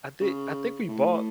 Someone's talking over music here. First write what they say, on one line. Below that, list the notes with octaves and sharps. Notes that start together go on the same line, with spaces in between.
I thi I think we bought
C#3
A2